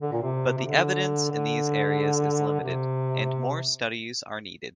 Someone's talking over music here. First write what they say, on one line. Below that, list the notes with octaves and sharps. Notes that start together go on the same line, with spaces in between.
But the evidence in these areas is limited and more studies are needed.
D3
A#2
C3
C3
D3
D3
C3